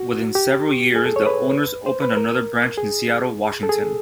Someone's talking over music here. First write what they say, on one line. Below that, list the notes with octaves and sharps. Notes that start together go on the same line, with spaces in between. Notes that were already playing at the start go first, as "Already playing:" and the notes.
Within several years, the owners opened another branch in Seattle, Washington.
Already playing: F#4
G4
G#4
A4
C#5
B4
C5
B4
A#4
G#4
A4
G#4